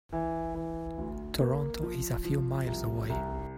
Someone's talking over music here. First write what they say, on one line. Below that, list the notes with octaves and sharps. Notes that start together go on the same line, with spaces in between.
Toronto is a few miles away.
E3
E3
D2
A#3
F3
F3
C2
C2